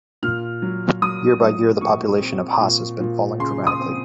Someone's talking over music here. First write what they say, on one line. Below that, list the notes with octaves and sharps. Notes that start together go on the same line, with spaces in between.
Year-by-year the population of Has has been falling dramatically.
A#2 F6
F#3
F#3 D#6
F#3
A#2 C#6
C4
A#2
A#2
C#3 C6
D#6
C4